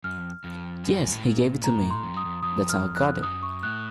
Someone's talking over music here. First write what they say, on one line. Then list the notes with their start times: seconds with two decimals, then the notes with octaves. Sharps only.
Yes, he gave it to me. That's how I got it.
0.04 F#2 F6
0.17 F2
0.44 F2
0.84 F#2
1.12 A2
1.24 A#2
1.63 A2 A#5
1.91 C6
2.03 F2
2.14 F#2 D#6
2.25 F2
2.43 F2 D#6
2.69 F6
2.96 F#6
3.23 F#2 D#6
3.43 C#6
3.63 A2 F#6